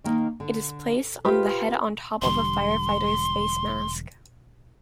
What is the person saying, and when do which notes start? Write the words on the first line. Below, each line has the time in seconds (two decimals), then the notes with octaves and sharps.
It is placed on the head on top of a firefighter's face mask.
0.04 D#3 A#3 D#4
0.40 D3
1.25 F4 G4 B4 C5
2.22 E1 D3 G3 C6